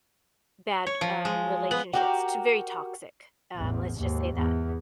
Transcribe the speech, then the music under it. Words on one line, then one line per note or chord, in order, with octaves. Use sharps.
bad, uh, relationships t very toxic, um, let's just say that.
C#5
F3
G#3
B3
F#4 G4 A#4
A1 E2
D#2 G#2
E2